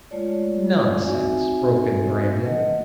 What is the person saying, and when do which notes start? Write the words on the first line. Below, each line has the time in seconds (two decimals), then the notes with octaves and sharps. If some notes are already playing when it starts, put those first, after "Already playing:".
"Nonsense!" broke in Brandon.
0.11 G#3 A3 F4 C#5 D5
1.01 C4 D#4 F#4 E5 G#5
2.45 A3 A4 D#5 F#5